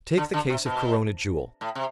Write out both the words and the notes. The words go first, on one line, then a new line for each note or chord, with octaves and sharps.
Take the case of Corona Jewel.
D3
D3
C3
B2
A2
C3